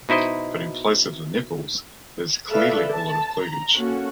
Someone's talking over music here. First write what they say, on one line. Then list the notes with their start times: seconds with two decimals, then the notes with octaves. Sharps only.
But in place of the nipples there's clearly a lot of cleavage.
0.09 B2 D#4 E4 C5 D#5
2.52 A4 B4 D5 E5 F5
2.91 A5
3.40 A#5
3.76 A#3 C#4 F#4 A4